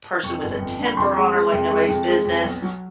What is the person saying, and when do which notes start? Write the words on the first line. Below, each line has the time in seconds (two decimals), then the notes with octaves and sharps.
person with a temper on her like nobody's business,
0.23 F2 C#6
0.41 G1
0.59 F2
0.78 D3
0.85 B5
0.97 F2 C6
1.15 G#3
1.33 G#3
1.52 F2
1.70 G#3 C#6
1.88 F2
2.07 G#3
2.25 F2
2.43 B1
2.62 F#3